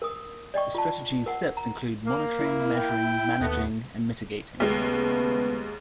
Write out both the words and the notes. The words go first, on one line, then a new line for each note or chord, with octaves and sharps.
The strategy's steps include monitoring, measuring, managing, and mitigating.
A#4 D#6
D5 D#5 G5 C#6
F4 A5
A#4 F#5
A#5
A#3
E4
G5
D#2 A3 B3
D#2 C#3 G#3 A3 B3